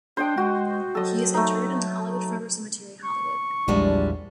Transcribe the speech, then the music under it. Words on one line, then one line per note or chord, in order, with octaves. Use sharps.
He is interred in the Hollywood Forever Cemetery, Hollywood.
D4 C5 D#5 G5
G#3 F#4
F#3 A4 D#5
A3 D#4
C#6
A#1 E2 F3 G3 G#3 D4